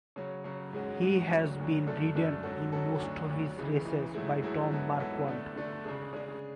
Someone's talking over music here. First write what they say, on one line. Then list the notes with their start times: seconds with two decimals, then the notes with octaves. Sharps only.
He has been ridden in most of his races by Tom Marquand.
0.16 C#3 F#3 C#4
0.44 C#3 F#3 C#4
0.73 G#2 G#3 C#4 F#4
1.02 G#2 G#3 C#4 F#4
1.30 D2 D3 F#3
1.58 D2 D3 F#3
1.87 F#2 D3 A3 D4 A4
2.15 F#2 D3 A3 D4 A4
2.43 G#2 F#3 C#4 F#4 A4
2.72 G#2 F#3 C#4 F#4 A4
3.00 D2 D3 F#3
3.29 D2 D3 F#3
3.58 C#2 C#3 E3 G#3
3.85 C#2 C#3 E3 G#3
4.14 G#2 F#3 A3 E4 G#4
4.42 G#2 F#3 A3 E4 G#4
4.70 G#2 F#3 B3 E4 A4
4.99 G#2 F#3 B3 E4 A4
5.27 D3 A3 D4
5.56 D3 A3 D4
5.84 C#3 G#3 D4 G#4
6.13 C#3 G#3 D4 G#4